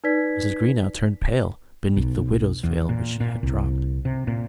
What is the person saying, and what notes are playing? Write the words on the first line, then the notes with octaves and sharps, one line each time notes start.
Mrs. Greenow turned pale beneath the widow's veil which she had dropped.
D#4 B4 D5 G#6 B6
B1
E2
A#2
A#2
C2
C3
A#2